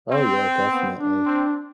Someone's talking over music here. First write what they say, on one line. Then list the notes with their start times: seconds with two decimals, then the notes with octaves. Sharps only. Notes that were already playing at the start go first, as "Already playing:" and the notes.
Oh, yeah. Definitely.
0.11 C4
0.70 B3
0.97 D4
1.26 C4